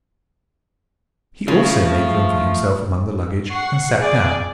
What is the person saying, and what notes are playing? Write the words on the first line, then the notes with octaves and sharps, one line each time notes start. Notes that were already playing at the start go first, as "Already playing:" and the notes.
He also made room for himself among the luggage and sat down.
C#3 F3 A3 F4
F#5 C#6 C7
G#4 D5